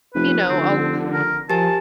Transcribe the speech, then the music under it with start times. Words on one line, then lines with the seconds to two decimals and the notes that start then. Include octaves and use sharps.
you know, I'll
0.15 F1 B4
0.49 F1 D3 C4
1.13 A#4
1.50 F3 G4 A#4 G#5 A5